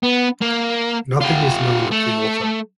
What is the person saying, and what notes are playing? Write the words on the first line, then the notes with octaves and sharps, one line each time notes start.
Nothing is known of the author.
B3
A#3
F4 G4
A3